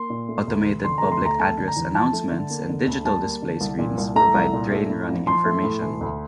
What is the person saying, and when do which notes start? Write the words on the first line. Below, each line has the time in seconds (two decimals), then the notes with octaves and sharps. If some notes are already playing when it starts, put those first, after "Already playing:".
Automated public address announcements and digital display screens provide train running information.
Already playing: A#3 C6
0.10 A#2
0.29 A3
0.48 D2
0.65 E1
0.84 D3 C6
0.98 A3 A#5
1.12 C6
1.21 D2 A#5
1.40 A3 A5
1.58 D3
1.68 A#5
1.76 E2
1.95 F3 A5
2.13 A3
2.32 D3
2.50 A#3
2.69 D3
2.87 D2
3.05 G3 A5
3.23 A#3
3.42 D3
3.61 C2
3.79 A#2
3.98 C2
4.16 A3 A#5
4.35 C2
4.53 A#2
4.71 A3
4.90 A2
5.08 A#1
5.27 F3 C6
5.46 A3
5.64 A2
5.82 E1
6.01 D2